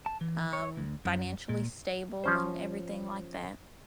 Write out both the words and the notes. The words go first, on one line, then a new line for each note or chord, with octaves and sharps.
um, financially stable, and everything like that.
A5
E3
C#5
D2
F#2
A#2
F3 C#4 C5